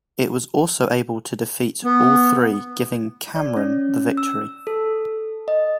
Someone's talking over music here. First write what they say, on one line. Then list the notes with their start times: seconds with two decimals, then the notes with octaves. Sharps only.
It was able to defeat all three, giving Cameron the victory.
1.85 B3
3.36 D5
3.57 C#4
4.17 E6
4.67 A4
5.48 D#5